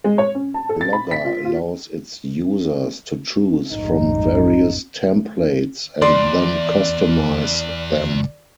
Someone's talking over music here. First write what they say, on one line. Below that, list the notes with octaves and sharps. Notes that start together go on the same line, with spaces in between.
Blogger allows its users to choose from various templates and then customize them.
G#3
C#5
C#4
A5
A4
A6
B5
B6
F4
F4
F1 A#1 G#2 D#4
E2 D5 C6